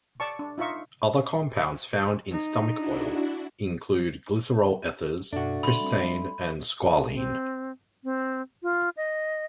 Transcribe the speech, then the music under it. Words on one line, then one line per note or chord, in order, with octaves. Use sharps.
Other compounds found in stomach oil include glycerol ethers, pristane and squalene.
D5 A5 C#6
D4
D#4 F4 E5 C#6
D#4
D4 E4 F#4
F#2 B2 A3 D4 F#4
A#2 C#3 B5 C6
G3 C4
C4
C4
F4
D#5